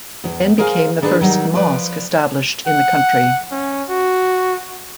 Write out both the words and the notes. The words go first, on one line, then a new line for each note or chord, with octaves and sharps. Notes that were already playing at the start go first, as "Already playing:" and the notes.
It then became the first mosque established in the country.
E2
G#4 A#4 C5 F5 G5 G#5
D#3 D4 G#4 B4 D#5 A5
D#3 F#3 G3 D#4
F3 B4 D5
F#5
C#4
F#4